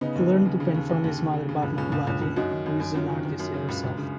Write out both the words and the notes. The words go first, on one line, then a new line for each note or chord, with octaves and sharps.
He learnt to paint from his mother Bhavna Gulati who is an artist herself.
C#3 B3 D#4
D#2
D#2
C#3
C#3
D#2
D#2
D#2
C#3
C#3
C#3
C#2
C#2 C#4 F4
C#2
C#2
C#2
F#2 D#4 F#4
D#3
F#2
F#2
F#2 C#4 F4
D#3
D#3
F#2
C#3
C#2
C#2
C#3